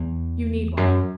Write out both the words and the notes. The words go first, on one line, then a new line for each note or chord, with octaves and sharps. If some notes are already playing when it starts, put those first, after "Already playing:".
"You need one."
Already playing: E2
F#2